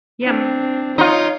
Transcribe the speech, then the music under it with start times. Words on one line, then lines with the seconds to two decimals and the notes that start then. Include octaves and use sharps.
Yeah, m
0.21 C4 D4
0.98 D#4 F4 C#5